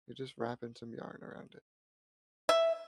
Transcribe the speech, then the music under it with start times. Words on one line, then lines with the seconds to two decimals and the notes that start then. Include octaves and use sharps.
you're just wrapping some yarn around it,
2.49 E5